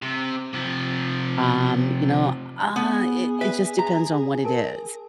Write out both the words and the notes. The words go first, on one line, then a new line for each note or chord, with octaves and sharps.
um, you know, ah, it it just depends on what it is,
C3
C3 F3
B3 G#4
B4 E5 B6
A#5
A#4 A5